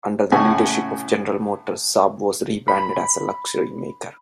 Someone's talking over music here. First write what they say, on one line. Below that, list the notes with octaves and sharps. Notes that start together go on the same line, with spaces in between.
Under the leadership of General Motors, Saab was re-branded as a luxury maker.
A2 C#3 F#5 G#5 C#6
B5